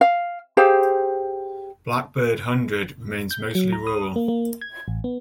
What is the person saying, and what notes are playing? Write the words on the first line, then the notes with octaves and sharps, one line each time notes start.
Blackbird Hundred remains mostly rural.
F5
G4 G#4 C5 F5
G6
F#3
A#5
D#6
A#3
A#3
G#6
A1
B3